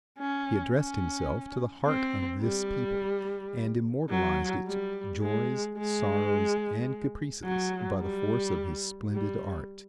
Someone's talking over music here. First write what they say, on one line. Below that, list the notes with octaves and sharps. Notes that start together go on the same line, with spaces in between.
He addressed himself to the heart of this people and immortalized its joys, sorrows and caprices by the force of his splendid art.
C#4
C#4
C4
G3
F#3
G3
G#3
G#3
F#3
G3
G3